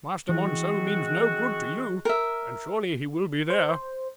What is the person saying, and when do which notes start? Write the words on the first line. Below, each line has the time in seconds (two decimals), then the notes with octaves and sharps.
Master Monceux means no good to you, and surely he will be there.
0.29 E3 G#3 C4 F#4
2.05 A#4 E5
3.50 C5